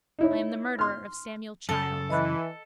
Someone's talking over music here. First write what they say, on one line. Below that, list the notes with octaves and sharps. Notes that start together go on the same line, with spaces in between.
I am the murderer of Samuel Childs.
D#4 E4 C#5
C6 F6
F#2 C#3 A4 A5
E3 D#5 B5 F#6